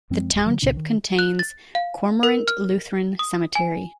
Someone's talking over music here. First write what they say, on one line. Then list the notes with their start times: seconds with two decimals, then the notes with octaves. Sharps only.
The township contains Cormorant Lutheran Cemetery.
0.10 F#2 F3 G#3 C4
0.33 D1
0.46 D3 E3 F#3
0.62 C2 A#2 C#3 D4
0.77 D#3
1.19 F#6
1.39 A6
1.75 F5
2.23 A#4
2.48 F6
3.19 D#6
3.55 G#5